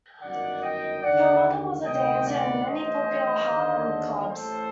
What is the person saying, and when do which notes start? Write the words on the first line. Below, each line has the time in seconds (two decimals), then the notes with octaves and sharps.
Her mother was a dancer in many popular Harlem clubs.
0.21 G1 F#2 D#3 D5 F#5
0.62 D#5 G5
1.03 D#2 D3 D5 F#5
1.84 D2 C3 D#3 D#5 G5
2.25 D5 F#5
2.66 A1 G2 D#3 C5 D#5
3.48 D#2 D3
4.29 A1 A2 A4 C5